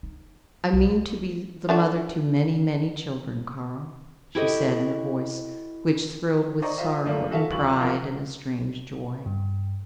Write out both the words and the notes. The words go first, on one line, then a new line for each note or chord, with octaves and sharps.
"I mean to be the mother to many, many children, Karl," she said in a voice which thrilled with sorrow and pride and a strange joy.
D#4
B1
A3 D4 F#4
E4 F#4 G4 A4 C5 D#5
C5 D5 D#5 A#5 C#6
F4 C5 D#5 E5
F#2 A3 A#3 D4 F4
F4 F#4 A4 E5 F5
D2 F#3 F4 F#4 F#7
F3 C4 F4 F#4 A#4
G2